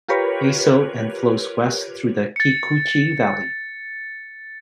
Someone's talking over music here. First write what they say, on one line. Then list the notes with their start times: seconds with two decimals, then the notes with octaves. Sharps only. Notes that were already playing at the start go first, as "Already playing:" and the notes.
Aso and flows west through the Kikuchi Valley.
0.08 F4 G4 A#4 B4 C#5
2.36 A6 C#7